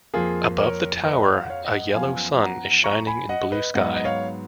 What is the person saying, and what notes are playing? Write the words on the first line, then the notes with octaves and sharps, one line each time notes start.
Above the tower a yellow sun is shining in blue sky.
F2 F3 A#3 F4 G#4
A#4 C#5
B4 D#5
F5
F#5
C#5 F5
D#5 F#5
F#2 F3 B3 F5 G#5
F#5 A#5
A#5 C#6
G#5 B5
D#5 F#5
B4 D#5
G#2 F#3 B3 D#5 F#5
D#5
C#5 F5